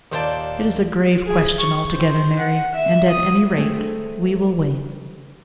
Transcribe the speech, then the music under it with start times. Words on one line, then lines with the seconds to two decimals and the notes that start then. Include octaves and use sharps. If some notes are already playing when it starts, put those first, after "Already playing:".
It is a grave question altogether, Mary, and at any rate we will wait.
0.12 D#2 A#2 C5 D5 G5 A5
1.26 G#4
1.59 C#6
1.93 C5
2.39 F#5
2.74 E5
3.10 D#6
3.57 A3 C4 G#4